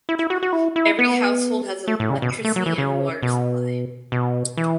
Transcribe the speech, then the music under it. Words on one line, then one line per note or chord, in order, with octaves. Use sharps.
Every household has electricity and water supply.
E4
E4
F#4
F#4
E4
E4
B3
A3
A2
C#3
B2
A3
F#3
E3
C#3
B2
B2
E3